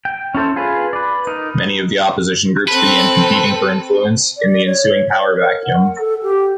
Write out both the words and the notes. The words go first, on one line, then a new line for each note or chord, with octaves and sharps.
Many of the opposition groups began competing for influence in the ensuing power vacuum.
G5
C#4 E4 A4 C5
F4 G#4 B4
B4 D5
D#4 A#4
C4 A4 B4
D5
C#5
C#5
A#4
F#5
A4
G4